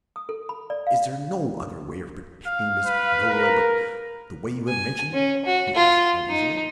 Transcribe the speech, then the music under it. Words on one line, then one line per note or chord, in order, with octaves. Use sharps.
"Is there no other way of protecting Miss Milroy but the way you have mentioned?" he asked, uneasily.
D#6
A4
B5
D5
F5
F5
B4
A#4
G#5
C#4
F#4
F4
D#4